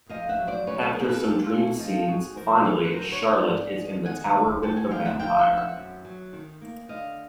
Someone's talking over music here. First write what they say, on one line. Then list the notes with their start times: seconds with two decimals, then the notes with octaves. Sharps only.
After some dream scenes, finally, Charlotte is in the tower with the vampire.
0.09 F2 D#5 F5
0.29 E5 F#5
0.38 F#3
0.47 C5 D5
0.67 C#3 B4 C#5
0.81 A4 B4
0.94 A#3 G#4 A#4
1.09 A4 B4
1.23 G#2 G4 A4
1.43 F4 G4
1.52 A3
1.61 E4 F#4
1.79 F3 D#4 F4
2.08 G#2 F#4 G#4
2.36 F2 A#4 C5
2.64 F#3 A4 B4
2.84 B4
2.93 D3 A#4 C5
3.12 B4 C#5
3.21 B3
3.30 C5 D5
3.49 G#2
3.77 G#3
4.05 D#3 F#5 G#5
4.34 B3
4.62 A2 G5 A5
4.76 F#5 G#5
4.90 G#3 F5 G5
5.05 E5 F#5
5.19 F3 F5 G5
5.38 E5 F#5
5.48 C4
5.57 E5 F#5
5.75 F#2
6.05 F#3
6.33 D#3
6.61 A#3
6.89 D3 D#5 F5